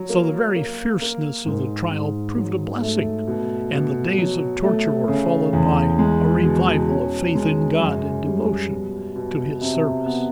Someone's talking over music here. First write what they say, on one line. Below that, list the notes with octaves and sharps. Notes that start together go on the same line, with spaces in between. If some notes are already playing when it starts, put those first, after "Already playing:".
So the very fierceness of the trial proved a blessing, and the days of torture were followed by a revival of faith in God, and devotion to His service.
Already playing: F#3
A#3
A#3
A#3
G#2
G#2
F#3
A3
B2
B2
F#3
A3
C#3
E2
G#3
B2
C#4
G#3
F#2
G3
B2
B2
C3
B3